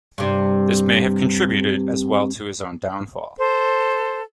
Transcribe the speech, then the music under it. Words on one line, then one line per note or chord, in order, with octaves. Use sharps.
This may have contributed as well to his own downfall.
G2 C3
A4 C5